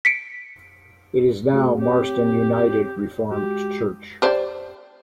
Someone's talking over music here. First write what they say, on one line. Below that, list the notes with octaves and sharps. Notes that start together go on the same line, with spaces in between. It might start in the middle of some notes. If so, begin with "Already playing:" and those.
It is now Marston United Reformed Church.
B6 C#7 D7
A3 F#4 G#4
C4 G4 C#5
G#3 F#4 G4
G4 C5 D5